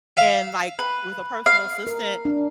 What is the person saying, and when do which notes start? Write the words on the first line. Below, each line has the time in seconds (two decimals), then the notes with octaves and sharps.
and, like, with a personal assistant,
0.17 E5 F5
0.79 B4
1.46 F5
1.87 A#4
2.25 D4